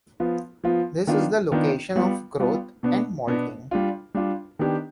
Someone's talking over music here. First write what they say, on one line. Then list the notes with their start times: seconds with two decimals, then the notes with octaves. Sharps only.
This is the location of growth and molting.
0.20 F3 B3 F4
0.64 F3 B3 F4
1.07 D#3 B3 D4 F4
1.52 D#3 B3 D4 F4
1.96 G3 B3 F4
2.40 G3 B3 F4
2.83 B2 B3 D4
3.27 B2 B3 D4
3.71 G3 D4 F4
4.15 G3 D4 F4
4.59 D#3 B3 D4 G4